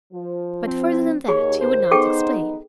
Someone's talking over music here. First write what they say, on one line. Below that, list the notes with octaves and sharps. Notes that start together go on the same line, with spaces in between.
But further than that he would not explain.
F3
C4
D#2 G#4 C#5
C5
B3 D#4 G#4 A4 G5